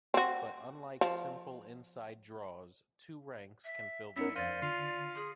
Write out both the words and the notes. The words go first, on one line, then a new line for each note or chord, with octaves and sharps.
But unlike simple inside draws, two ranks can fill the hand.
C4 F#4
F3
E5
B3 C#4 D#4 E4 A#4 B6 C#7
F2 C5 D5 F5 F6 A#6 D#7
D3 F4 C7
G#4 C6